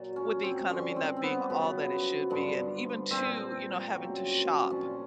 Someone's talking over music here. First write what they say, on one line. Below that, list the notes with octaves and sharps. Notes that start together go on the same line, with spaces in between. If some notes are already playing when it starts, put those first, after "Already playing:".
with the economy not being all that it should be, and even too, you know, having to shop,
Already playing: A#2 F#3
C#4
C4
G2 D3 F3 C#4
C4
C4
B3
F#2 C#3 F3 B3
G2 D3 F3
A#2 F3 C4
F#2 C#3 F#3
A#2 F3 C#4